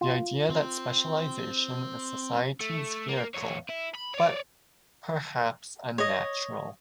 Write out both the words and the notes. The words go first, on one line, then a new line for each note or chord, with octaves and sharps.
The idea that specialization is society's vehicle, but perhaps unnatural.
F4
C4
A3
A#3
E2 C#5
E4
B5
C#5 D5
C#5 D#5